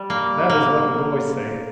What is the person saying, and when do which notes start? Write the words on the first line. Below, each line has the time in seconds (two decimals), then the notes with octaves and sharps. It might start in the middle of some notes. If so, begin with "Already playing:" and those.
That is what the boys say.
Already playing: G3
0.10 A#3
0.50 A#3